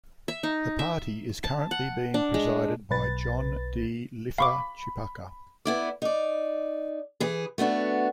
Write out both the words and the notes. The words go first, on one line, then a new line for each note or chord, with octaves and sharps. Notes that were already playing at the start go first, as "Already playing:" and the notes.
The party is currently being presided by John D. Lifa Chipaka.
E5
D#4
E5
A5
F#5
D4
G#3
B1 B4 A6
F5 B5 C#6 D6
B3 E4 D5
D#4 D5
E3 G#4
A3 B3 D4 F#4